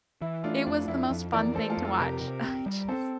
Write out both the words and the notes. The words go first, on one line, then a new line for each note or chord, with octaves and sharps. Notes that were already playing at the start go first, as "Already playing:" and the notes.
it was the most fun thing to watch. I just
E3 E4
A3 D4 F4
F2 D4
F2 E4
F2
E3 A#4 D5
A3 A4 C5
F4 A4
F2
F4 A4
C3 G4 A#4
C3
C4
G3
C4 A4 C5